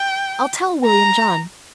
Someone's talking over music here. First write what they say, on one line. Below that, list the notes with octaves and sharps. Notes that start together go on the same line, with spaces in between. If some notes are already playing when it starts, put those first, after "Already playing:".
I'll tell William John.
Already playing: G5
A#5